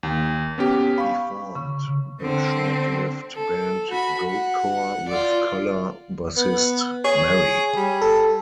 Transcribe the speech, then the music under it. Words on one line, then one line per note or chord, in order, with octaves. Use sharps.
He formed the short-lived band Goatcore with Color bassist Marry.
D#2
B3 C#4 G4
F5 B5 C#6
C#3 C#6
D3 C4
A4
F#4 B5
F#5
F4 D5
B3
G#4 C#5
G3
A4